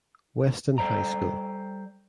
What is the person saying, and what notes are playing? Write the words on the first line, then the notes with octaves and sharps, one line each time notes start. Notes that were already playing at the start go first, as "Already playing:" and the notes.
Weston High School.
G3 A4 C5 D5 A#5